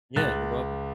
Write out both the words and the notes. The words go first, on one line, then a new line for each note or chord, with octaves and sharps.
Yeah, you're welcome.
C#2 F#6 A6